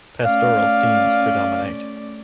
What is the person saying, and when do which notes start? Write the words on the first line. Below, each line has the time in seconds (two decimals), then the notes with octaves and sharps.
Pastoral scenes predominate.
0.23 A3 C#4 D5 F5